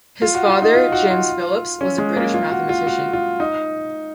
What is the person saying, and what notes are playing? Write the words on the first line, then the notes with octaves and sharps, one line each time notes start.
His father, James Phillips, was a British mathematician.
F4
F#4
F4
D#4
F4
F#4
F4
C#4
G#3
A#3
F4
F#4
F4
F#4
F4
D#4